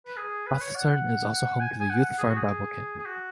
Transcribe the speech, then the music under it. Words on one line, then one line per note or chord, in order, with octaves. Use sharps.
Rosthern is also home to the Youth Farm Bible Camp.
B4
G#4
B4
C#5
F#5
F#5
G#5
G#5
F#5
F#5
G#4
F#4
G#4
G#4
F#4